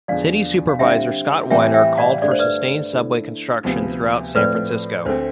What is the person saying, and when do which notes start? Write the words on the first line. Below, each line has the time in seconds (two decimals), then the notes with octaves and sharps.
City Supervisor Scott Wiener called for sustained subway construction throughout San Francisco.
0.08 E2 D3 F3 D5 F5
0.69 F5
0.79 D3 G3 C4 E5 G5
1.50 A2 E3 G3 C4 E5 G5
1.74 E5 G5
1.98 D5 F5
2.22 G2 D3 A3 D4 D5
2.31 C5
2.39 B4 D5
2.93 D3 A3 E4
3.64 D2 C3 F3 B3
4.35 A2 F3 A3 C4 B4 D5
5.05 D2 D3 A3 C4 C5